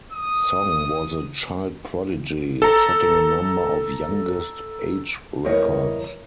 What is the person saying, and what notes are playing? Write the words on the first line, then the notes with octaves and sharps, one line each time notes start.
Song was a child prodigy, setting a number of "youngest" age records.
D#6
A4 A#5
E2 G3 A#4 C#5 D#5